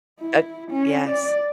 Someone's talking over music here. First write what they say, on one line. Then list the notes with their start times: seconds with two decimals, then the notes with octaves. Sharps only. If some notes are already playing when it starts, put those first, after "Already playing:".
Uh Yes.
0.20 E4
0.71 C#4
1.09 D5